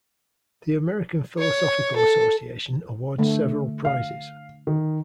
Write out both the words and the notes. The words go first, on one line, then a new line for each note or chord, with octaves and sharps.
The American Philosophical Association awards several prizes.
C#5
A4
D3 A3
F5
D#3